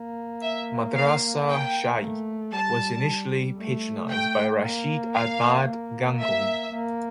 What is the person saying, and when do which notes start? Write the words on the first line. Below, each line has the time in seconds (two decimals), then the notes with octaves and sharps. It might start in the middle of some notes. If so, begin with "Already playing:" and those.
Madrasa Shahi was initially patronized by Rashid Ahmad Gangohi.
Already playing: A#3
0.42 E5
0.96 F5
1.47 G5
2.00 A3
2.52 G3 A5
3.57 A3
4.11 G5
4.63 A#3
5.15 F5
5.67 A#3
6.20 E5
6.73 A#3